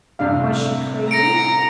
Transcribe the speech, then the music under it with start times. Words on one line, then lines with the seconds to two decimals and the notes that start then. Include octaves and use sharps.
Was she crazy?
0.19 A1 C3 G3 D4 F5
1.11 A#5 A#6 C#7 D7